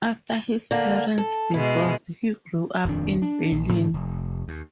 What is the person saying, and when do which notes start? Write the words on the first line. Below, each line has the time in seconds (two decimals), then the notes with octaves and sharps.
After his parents divorced, he grew up in Berlin.
0.71 D3 A#3
1.18 A4
1.54 B2 G#3 E4
2.85 D#1 F2 D#3 D4
3.22 D4
3.52 A#1
3.73 G#2 D3 D#3 A3
3.94 F1
4.48 D#2